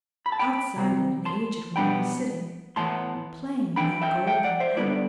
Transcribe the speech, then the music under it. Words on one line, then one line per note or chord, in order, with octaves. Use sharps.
Outside it an aged woman was sitting, playing with a golden apple.
B5
A5
G5 B5
C3 G3 C4
A5 C6
B2 G3 B3 D4 G5 B5
A2 E3 B3 A5 C6
E3 B3 D4 G5 B5
E5 G5
E5 G5
D5 F#5
C5 E5
D3 G3 B3 E4 B4 D5